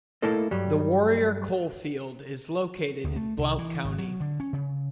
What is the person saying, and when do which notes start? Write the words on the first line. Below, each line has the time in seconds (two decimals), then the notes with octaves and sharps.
The Warrior coal field is located in Blount County.
0.22 A3 A#3 E4 A4 D#5
0.51 G2 F#3 G3
3.04 D2
3.16 A3
3.38 C2
3.58 E3
3.84 G#1
3.98 F#3
4.20 D3
4.40 C#4
4.53 C#3